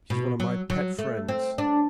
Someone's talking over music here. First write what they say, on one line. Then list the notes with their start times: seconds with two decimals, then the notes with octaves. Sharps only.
She's one of my pet friends.
0.10 B2
0.40 F#3
0.70 F#3
0.99 A3
1.29 C4
1.58 D4